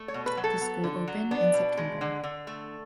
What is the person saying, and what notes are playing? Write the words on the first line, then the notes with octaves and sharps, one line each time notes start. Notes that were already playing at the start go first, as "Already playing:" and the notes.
The school opened in September.
Already playing: A3
C#5
B2
B4
F#3
A4
B3
D3
F#3
B3 D4
B2
G#3
D3
D3
A3